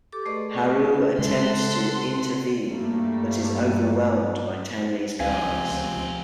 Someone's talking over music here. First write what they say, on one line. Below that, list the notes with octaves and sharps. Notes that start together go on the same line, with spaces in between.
Haru attempts to intervene but is overwhelmed by Tanley's guards.
G4 A4 D6
A3 G#4 B4 D5 D#5 C#6
A#4 B4 A5
D4 E4 F4
C#3 G#3 A4 F#5 C6
G2 G3 A3 A#3
C#2 F3 C4 G4 F5 G#5